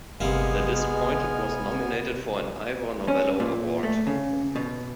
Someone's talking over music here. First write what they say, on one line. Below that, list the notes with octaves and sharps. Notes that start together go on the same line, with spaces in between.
"The Disappointed" was nominated for an Ivor Novello award.
G1 C3 G3 G#3 A#3 B3 G#5 F6
C#4
A#2
A3
C#3
B2